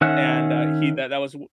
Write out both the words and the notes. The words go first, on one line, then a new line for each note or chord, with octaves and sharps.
and, uh, he that that was wo
D#3 C#4 E5 F#5